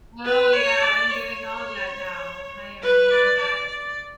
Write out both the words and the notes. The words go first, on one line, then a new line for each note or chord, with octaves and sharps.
Oh, yeah. I'm getting all that now. I am getting that.
B4
C#5
D5
C#5
B4
D5
D5
D5